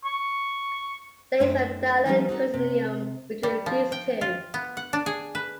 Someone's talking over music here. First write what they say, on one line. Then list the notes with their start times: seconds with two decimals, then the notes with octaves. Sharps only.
There is a dialect continuum between these two.
0.05 C#6
1.40 F#2 A3 D4 D#4 C5 G5
2.06 F3 G3 A#3 B3 C#4 D#4
2.29 D#4 F#4 A4
2.54 C3
3.43 G3
3.66 F3
3.92 G5
4.21 F4
4.54 B3
4.77 F#5
4.93 D4
5.06 G#4
5.35 B4